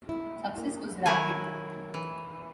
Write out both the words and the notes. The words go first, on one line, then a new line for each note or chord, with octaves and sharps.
Success was rapid.
E4
A#3
D#3 F#3 E4 G#5
E3